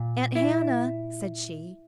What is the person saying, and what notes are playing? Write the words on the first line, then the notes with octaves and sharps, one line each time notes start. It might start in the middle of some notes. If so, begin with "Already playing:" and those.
"Aunt Hannah?" said she.
Already playing: A#2
E4